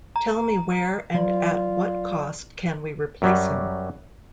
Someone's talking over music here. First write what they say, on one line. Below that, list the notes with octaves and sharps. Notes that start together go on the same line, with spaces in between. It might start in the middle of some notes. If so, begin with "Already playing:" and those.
Tell me where and at what cost can we replace him?
A#5
F#3 F4 D5
F#2 F#3 G3